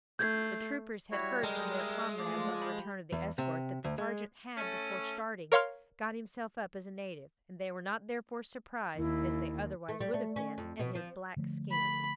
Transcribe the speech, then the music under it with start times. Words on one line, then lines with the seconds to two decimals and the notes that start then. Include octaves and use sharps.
The troopers had heard from their comrades, on the return of the escort, that the sergeant had, before starting, got himself up as a native; and they were not therefore surprised, as they otherwise would have been, at his black skin.
0.19 A3 G6 G#6 C7
1.12 G3 E4 F#4 C#5
1.44 G#3 A4 A#4 D#5 G5
1.78 D#5 E5
2.18 F3 A3 D5 F5
2.62 G4 B5
3.12 E2
3.38 C3
3.84 D2
3.98 G#3
4.57 A3 C#4
5.52 A#4 C#5 F5 C6 F6
8.97 D#2 E4
9.89 A3
10.01 G3
10.14 A3
10.36 C#4
10.58 F2
10.79 B2
10.95 F3
11.36 D3 F3 A3
11.71 B5